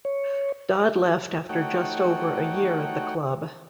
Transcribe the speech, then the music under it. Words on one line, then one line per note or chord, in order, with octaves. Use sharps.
Dodd left after just over a year at the club.
C#5
A3 D#4 F#4 C#5 F#5 G5